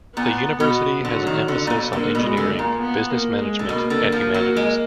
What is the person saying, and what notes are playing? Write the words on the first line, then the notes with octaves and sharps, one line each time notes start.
The university has an emphasis on engineering, business management and humanities.
A#2 B3
B2 B3
D3 F#3
D#3
D3
A#2
B2
D3 A#3
B2
G#3
D3
A#3
A#2
B3
A#3
G#3
D3
B2 A#3
D3
F3
F#3
G#3